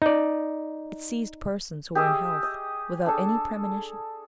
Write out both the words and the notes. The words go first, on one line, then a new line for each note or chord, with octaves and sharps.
It seized persons who were in health, without any premonition.
D#4 D5
G4 G#4 D#5 E5
D#5
D4 G#4 A4